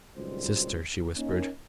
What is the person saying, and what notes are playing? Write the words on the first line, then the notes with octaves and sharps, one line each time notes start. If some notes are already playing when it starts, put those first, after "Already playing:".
"Sister!" she whispered.
G#1 C#2 A#2 F#3 G3 C5
A#3 C#4 D#4